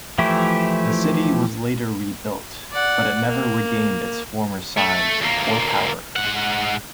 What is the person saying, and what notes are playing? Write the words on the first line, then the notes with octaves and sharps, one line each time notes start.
The city was later rebuilt, but it never regained its former size or power.
E3 F3 A3 E4 G4
D5 F#5
A#3
A3
D2 A#3
G#2 F#5